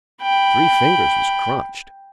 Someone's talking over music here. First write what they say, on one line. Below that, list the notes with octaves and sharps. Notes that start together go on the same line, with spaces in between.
Three fingers was crunched.
G5 B5